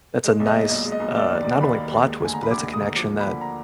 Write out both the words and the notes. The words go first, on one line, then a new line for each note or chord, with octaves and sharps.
that's a nice uh, not only plot twist, but that's a connection that
G#3
B1
D#5
A#2
B1 D#5
G#3
D#5
B1
A#3 D5
D#2
D#3 D5
D#2 B5
A#3
D#2
G#3
D2 G#5
D3 A#5
B5
D2 D6
G#3
D#6
D2
F3 D6
A#3
B5
D3
A#5